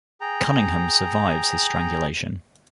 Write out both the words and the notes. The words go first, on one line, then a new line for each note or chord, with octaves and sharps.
Cunningham survives his strangulation.
G#4 G5 A#5